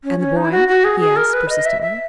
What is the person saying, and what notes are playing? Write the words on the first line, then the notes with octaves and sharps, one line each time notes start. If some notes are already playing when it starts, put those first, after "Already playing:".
"And the boy?" he asked, persistently.
C#4
C#4
D#4
E4
F#4
F#4
G#4
G#4
A#4
B4
D#5
E5
E5